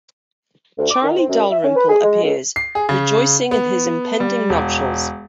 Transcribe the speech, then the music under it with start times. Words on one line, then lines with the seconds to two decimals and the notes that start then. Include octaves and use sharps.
Charlie Dalrymple appears, rejoicing in his impending nuptials.
0.78 D2
0.90 D6
1.02 D#3
1.16 C4
1.28 F#2
1.50 E5
1.63 C#4
1.76 B4
1.89 G#4
2.03 G#3
2.23 C#2
2.56 C7
2.75 G#4
2.89 C#3
3.51 B3
4.20 G3
4.49 E1